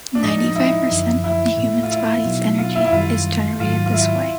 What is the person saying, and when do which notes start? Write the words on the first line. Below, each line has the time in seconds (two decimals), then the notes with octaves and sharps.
Ninety-five percent of the human body's energy is generated this way.
0.15 D4
0.23 A2 F3 G#3 D#4
0.46 D#4
0.56 E4
0.90 F#2 D3 F3
1.24 E4
1.58 A2 E3 A3
1.83 F4
1.92 E4
2.25 B2 F#3 B3 D#4
2.59 F4
2.76 E4
2.86 E4
2.92 F#2 D#3 G3 F4
3.60 G#2 D#3 F#3 F4
3.86 F4
3.94 E4